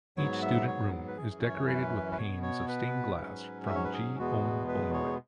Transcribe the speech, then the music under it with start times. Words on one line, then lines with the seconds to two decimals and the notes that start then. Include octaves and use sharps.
Each student room is decorated with panes of stained glass from G. Owen Bonawit.
0.17 G#2 F#3 B3 C#5
0.42 E5
0.67 C#5
1.08 B4
1.17 F#2 E3 C#4 G#4
1.42 C#5
1.68 B4
2.12 B4
2.18 B2 B3 C#5
2.43 C#5
2.68 B4
3.18 G#2 F#3 C#4
3.66 E5
3.75 C#5
3.84 B4
3.93 G#4
4.18 E2 B2 G#3 B3 F#4
4.68 B4
4.93 C#5